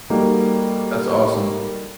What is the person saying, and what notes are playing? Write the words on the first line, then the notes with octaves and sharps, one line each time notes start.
That's awesome.
G3 A#3 D#4 F#4 A4